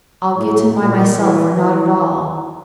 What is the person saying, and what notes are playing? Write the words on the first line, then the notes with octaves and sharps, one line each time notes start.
I'll get him by myself or not at all.
A2
A#2
E3
E3